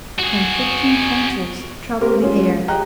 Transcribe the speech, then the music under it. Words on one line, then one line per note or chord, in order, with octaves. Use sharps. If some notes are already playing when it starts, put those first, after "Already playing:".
Conflicting counsels troubled the air.
F#4 G#4
C4 G4 A#4 B4
G#3 C#4 F4
G4 G#4 D#5 G5 A#5 F#6